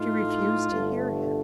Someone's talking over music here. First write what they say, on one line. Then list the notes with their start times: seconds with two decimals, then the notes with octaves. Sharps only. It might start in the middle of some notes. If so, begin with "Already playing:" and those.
She refused to hear him.
Already playing: A2 A3 D#4 F4
0.69 G1 G2 D3 A3